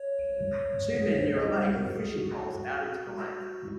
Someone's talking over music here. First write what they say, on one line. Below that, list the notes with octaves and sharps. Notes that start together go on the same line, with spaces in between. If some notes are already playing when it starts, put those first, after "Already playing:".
Two men near a lake with fishing poles out into the lake.
Already playing: C#5
G#4
A#4
C5
C#5
D#5
C5
A#4
F#4
G#4
F#4